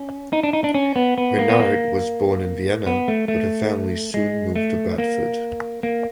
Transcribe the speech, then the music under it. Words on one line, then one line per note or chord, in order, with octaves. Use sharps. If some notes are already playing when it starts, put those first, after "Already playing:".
Reynard was born in Vienna but her family soon moved to Bradford.
Already playing: C#4
D#4
D4
D#4
D4
C#4
B3
B3
A#3
B3
A#3
B3
A3
A3
G#3
A3
A#3
A#3